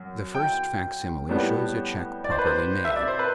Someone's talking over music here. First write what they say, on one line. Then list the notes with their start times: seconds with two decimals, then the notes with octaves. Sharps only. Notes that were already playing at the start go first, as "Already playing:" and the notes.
The first facsimile shows a check properly made.
Already playing: F#2
0.35 G5
1.29 A2 G3 B3
2.24 D5
2.31 C5
2.39 B4
2.46 C5
2.85 E5
2.96 D5
3.08 C5
3.19 B4